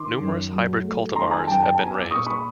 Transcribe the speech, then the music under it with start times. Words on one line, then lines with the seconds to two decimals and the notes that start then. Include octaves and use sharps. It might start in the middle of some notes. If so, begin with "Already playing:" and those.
Numerous hybrid cultivars have been raised.
Already playing: D#3 C6 D6
0.20 F#2
0.52 F#3
0.84 A3
1.15 D#3 A#5 C6
1.31 G#5 A#5
1.47 F#2 G5 A5
1.63 G5 A5
1.79 B3 G#5 A#5
1.95 D6 E6
2.11 A#2 C#6 D#6
2.27 B5 C#6